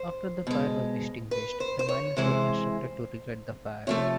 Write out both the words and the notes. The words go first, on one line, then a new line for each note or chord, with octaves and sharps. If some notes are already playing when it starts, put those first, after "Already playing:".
After the fire was extinguished, the miners were instructed to relight the fire.
Already playing: C5
B2 G#3
B4
C5
C5
C#5
C3 E3 G#3 C5
C3 F3 A3 C#5